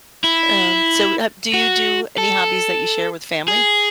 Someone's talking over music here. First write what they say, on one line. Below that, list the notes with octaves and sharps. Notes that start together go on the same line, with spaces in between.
Um, so, uh, do you do any hobbies that you share with family,
E4
F#4
A4
G#4